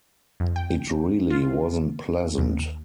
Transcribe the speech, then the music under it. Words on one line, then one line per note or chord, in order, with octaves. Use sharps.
It really wasn't pleasant.
F2
G5
F4
D#2